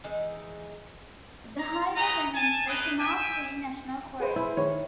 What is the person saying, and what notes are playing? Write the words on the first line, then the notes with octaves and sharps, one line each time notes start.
The highway then enters the Mark Twain National Forest.
E3 G#3 D#4
A#5
A3 B4 C#5 D#5 A#5
G#5 A5
D4 D#4 G#4 B4 D#5 E5
E5 G5 G#5
G#4 B4 C5
E4
D#3 C#5